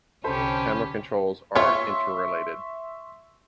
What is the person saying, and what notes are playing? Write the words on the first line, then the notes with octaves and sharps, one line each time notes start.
Camera controls are interrelated.
C2 D3 C#4 G4 A4 C5 A5 B5
F4 C#5 E5 C6 C#6